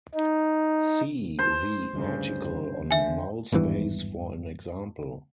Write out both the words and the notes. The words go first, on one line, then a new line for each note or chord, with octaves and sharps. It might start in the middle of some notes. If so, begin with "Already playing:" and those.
See the article on null space for an example.
D#4
C5
D2 G2 C#3
D3 E5 G#5
G#1 E2 G2 E3